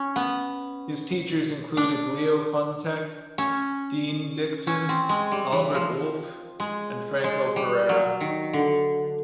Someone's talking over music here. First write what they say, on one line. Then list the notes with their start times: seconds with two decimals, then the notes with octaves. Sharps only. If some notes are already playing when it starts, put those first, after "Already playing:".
His teachers included Leo Funtek, Dean Dixon, Albert Wolff and Franco Ferrara.
Already playing: C#4
0.16 B3
1.77 D4
3.38 C#4
4.67 C#4
4.89 C4
5.09 G#3
5.32 G3
5.52 E3
5.75 F3
6.60 G#3
7.24 G#3
7.56 G3
7.89 F#3
8.21 D#3
8.53 D3